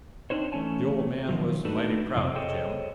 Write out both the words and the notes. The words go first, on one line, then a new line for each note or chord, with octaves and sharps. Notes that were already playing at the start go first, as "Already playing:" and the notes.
The old man was mighty proud of Jim.
C4 D4 D#4 C5 C#5
E3 A3 C#4 C#5 G#5 A5
D#3 F3 F#3
A3 D4 D#4 F#4 A4 B4
F2 C3 C4
G#4 A4 C5 C#5 D#5 G5